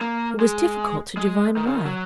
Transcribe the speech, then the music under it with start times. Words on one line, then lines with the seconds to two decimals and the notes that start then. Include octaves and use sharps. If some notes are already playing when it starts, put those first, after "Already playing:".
It was difficult to divine why.
0.01 A#3
0.40 G#3
1.17 G#3
1.57 D#3
1.66 C#3
1.76 D#3
1.85 F#3